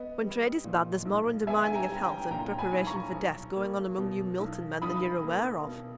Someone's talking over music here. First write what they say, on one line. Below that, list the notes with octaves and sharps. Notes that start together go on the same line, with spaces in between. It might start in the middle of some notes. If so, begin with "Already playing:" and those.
When trade is bad, there's more undermining of health, and preparation for death, going on among you Milton men than you're aware of.'
Already playing: B3 D#5
G3
A#2
B1
B3 E5 G#5
G#5
G5 A#5
G3
G5 A#5
A#2 G5 A#5
G#5 B5
B1
A#5 C#6
B1
A#3
B2
B1
B1 B5 D#6
A#3
B2